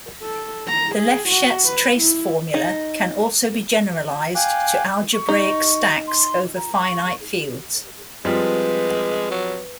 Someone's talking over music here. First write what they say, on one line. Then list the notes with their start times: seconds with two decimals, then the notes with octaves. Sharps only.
The Lefschetz trace formula can also be generalized to algebraic stacks over finite fields.
0.22 A4
0.67 A#5
0.96 G#4
1.29 F#4
1.65 B4
2.00 E4
2.54 D#4
4.36 F5 G5 G#5 D6 F#6
5.13 C#6
5.29 D#4
6.07 C6
6.56 A#5
6.75 C#6
8.25 F3 G3 G#3 C4 B4
9.31 F#3